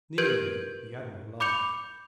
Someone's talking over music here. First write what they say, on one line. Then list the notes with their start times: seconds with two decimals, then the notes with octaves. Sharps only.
Sneeringly the Admiral laughed.
0.18 G4 A#4 B4 G6 G#6 D7
1.40 B5 D6 G6 C#7 F7